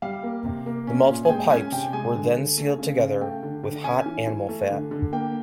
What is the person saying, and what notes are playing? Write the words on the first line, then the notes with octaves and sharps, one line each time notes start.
The multiple pipes were then sealed together with hot animal fat.
G3 F5
A#3
C3
A#3
C#4
A#2
G#5
G#3 G5
C#4 G#5
C3 G5
G#3 G#5
D3
D3
A3
C#3
C#3
A3 G5
D3
D3
C#4 G#5
E3
E3
A3
D3
D3
A#3 G5